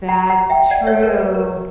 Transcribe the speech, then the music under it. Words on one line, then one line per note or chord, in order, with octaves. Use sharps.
That's true.
F#5 A#5
F#5 A#5
E5 G5
D5 F#5
C#5 E5
A#4 C#5
B4
A#4